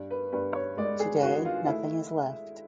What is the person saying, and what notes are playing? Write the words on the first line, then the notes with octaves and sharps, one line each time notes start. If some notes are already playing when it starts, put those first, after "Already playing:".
Today nothing is left.
Already playing: G2
B4
G2 B4
C#5
G#3 D5
G#4
D#3 F#4
F4
A3 E4